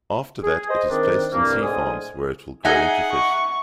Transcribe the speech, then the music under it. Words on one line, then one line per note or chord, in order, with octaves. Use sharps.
After that it is placed in sea farms where it will grow into fish.
G#4
G#4 B4 C5 D#5
D#3 C4 D4
C2 G2 A#3
A2 D3 G#3 C5 G#5 D#6
D#4 G#4 E5 F#5 G#5 F#6
C#6